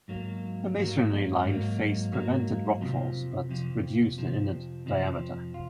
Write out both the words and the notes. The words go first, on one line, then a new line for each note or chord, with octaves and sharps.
A masonry-lined face prevented rock falls, but reduced the inner diameter.
G#2 F#3 A#3
G#2 F#3 A#3
G#2 F#3 A#3
G#2 F#3 A#3
F2 C3 F3
F2 C3 F3
F2 C3 F3
F2 C3 F3
F4